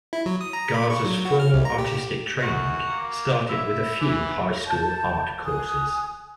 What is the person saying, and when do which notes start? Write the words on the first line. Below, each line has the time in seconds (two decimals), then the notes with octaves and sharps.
Garza's formal artistic training started with a few high school art courses.
0.13 E4
0.26 F#3
0.41 D#6
0.53 A#5
0.74 B5
0.90 C#6
1.04 F#3
1.25 F#4
1.39 F6
1.53 C2
1.65 A#5
1.78 G4
2.42 F#2 F#4
2.88 A#3
3.49 E4 E5
4.00 E3
4.67 A5 G6
5.45 G#5 D#6 F#6